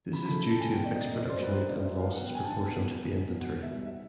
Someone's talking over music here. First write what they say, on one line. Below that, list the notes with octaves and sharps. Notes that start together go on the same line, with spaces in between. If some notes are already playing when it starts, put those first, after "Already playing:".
This is due to a fixed production rate and losses proportional to the inventory.
C#3 B5
A3 B5
A3
A5
E2 G#5
E2 G5
D5
F#3 D#5
A#3 D#5
F#2 D5
C5
F#3 B4
F#3 C5
F#3 D5
F#2 E5
F#3 F5
B3 F#5
G5
F#3 G#5
A5
G2 G#5
B3
F#3
B3
B3
B2
B2 F#5
B3
E5
G3
E5